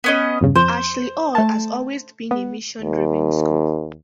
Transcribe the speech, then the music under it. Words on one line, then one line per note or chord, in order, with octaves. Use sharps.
Ashley Hall has always been a mission-driven school.
B3 C#4 D#5
E2 G2 C#3
F2 C5
A3 A5
B3
D#2